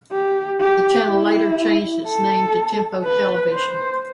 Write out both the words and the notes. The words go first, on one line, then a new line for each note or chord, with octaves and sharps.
The channel later changed its name to Tempo Television.
G4
G4
E4
A4
B4
C5